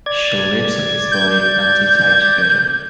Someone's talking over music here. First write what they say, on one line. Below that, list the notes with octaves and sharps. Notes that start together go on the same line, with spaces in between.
She leaps on his body and they die together.
D5 G#6
G6